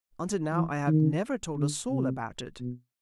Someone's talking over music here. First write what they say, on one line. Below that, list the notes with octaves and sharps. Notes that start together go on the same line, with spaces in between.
Until now I have never told a soul about it.
E3
D#3
D3
C3
B2